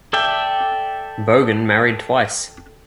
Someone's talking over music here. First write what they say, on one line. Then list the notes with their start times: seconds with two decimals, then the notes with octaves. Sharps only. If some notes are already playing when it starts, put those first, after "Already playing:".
Bogan married twice.
0.13 A4 D5 E5 G5